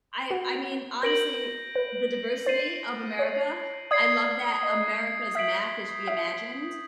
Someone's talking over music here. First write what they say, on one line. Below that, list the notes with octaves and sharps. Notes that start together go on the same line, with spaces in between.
I I mean, honestly, the diversity of America, I love that America's map is reimagined,
F#4
A#4 G6 A#6 D7 F#7
B4
C5 A6 C7 D#7 F#7
C#5
D5 D#6 G#6 C7
D#5
E5 G6 B6 D7 F#7
E5